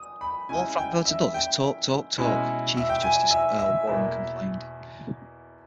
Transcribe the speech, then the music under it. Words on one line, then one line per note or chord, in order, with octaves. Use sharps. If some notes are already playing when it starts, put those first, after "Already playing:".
"All Frankfurter does is talk, talk, talk," Chief Justice Earl Warren complained.
Already playing: D#6
B5
C#3 G#3 C#4 E4 G#5
G5
E5
G5
B2 G#3 C#4 E4
E5
G5
G#5
E5
E5
E2 B2 A#3 E4 E5